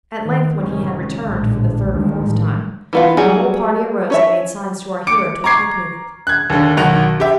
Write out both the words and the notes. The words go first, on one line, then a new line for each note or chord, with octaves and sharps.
At length, when he had returned for the third or fourth time, the whole party arose and made signs to our hero to accompany them.
D#3
F#1 C3 D#3 G#3 C#4
A#1 A2 D3 G#3
D#2 D3 D#3 F3 G3 G#3
A1
E3 B3 F4
F#3 G3 F#4 G#4
C#4 C#5 E5
D6 C#7 D7
A#5 C#6 D6 G#6 C7
F#6 G#6
D#2 D3
B1 D#3 F#4 F7
G4 E5